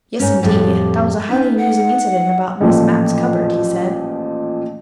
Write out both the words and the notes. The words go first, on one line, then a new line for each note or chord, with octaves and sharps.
"Yes, indeed, that was a highly amusing incident about Miss Mapp's cupboard," he said.
G#2 C#4
F2 A2 G3 G4
B3 C#4 D#4 E5
F#5
A1 A#2 F3 A3